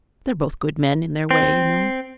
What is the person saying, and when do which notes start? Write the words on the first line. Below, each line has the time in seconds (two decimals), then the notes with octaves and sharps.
"They're both good, men in their way, you know."
1.31 C4